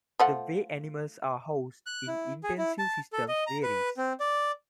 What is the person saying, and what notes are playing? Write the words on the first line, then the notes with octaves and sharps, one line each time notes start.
The way animals are housed in intensive systems varies.
F3 A3 F#5
F#6
E4
G#4
E4
A5
A4
D#5
A#5
B4
C4
D5